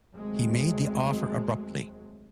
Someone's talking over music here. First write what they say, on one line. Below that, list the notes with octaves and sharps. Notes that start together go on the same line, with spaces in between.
He made the offer abruptly.
F1 D#2 F#3 G#3 A3 C4